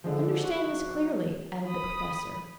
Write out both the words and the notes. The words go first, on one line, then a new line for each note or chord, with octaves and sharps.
"Understand this clearly," added the Professor.
D3 F3 G#3 D4
F#4
B5 D#6